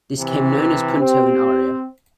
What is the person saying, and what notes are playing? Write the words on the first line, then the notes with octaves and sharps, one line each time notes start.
This came to be known as "punto in aria".
C3 E3
C4 G4